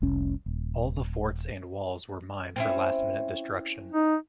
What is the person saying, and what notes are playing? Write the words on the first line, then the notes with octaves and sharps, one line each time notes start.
All the forts and walls were mined for last-minute destruction.
F1 C2 C#4
D#1
C4 C#4 E4
D#4